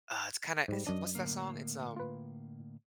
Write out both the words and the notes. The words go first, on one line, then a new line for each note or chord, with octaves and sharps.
Uh, it's kinda it's what's that song? It's, um,
G#2 G3
F#2 D4 D#5
A2 D3 A#3
F4 B4